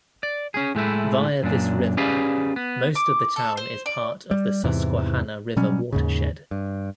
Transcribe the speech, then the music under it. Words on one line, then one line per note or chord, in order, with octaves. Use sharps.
Via this river, most of the town is part of the Susquehanna River watershed.
D5
C#4 G#4
A2 G#3 A3 E4
F#2 A#2 D4
C#4 G4 G#4 B4 D5 F5
B3
D6
A4
C5
D5
G3
E2 G#2 C3 E3
B2 F#3 G3 C#4
D#2 G#2 C#3
G2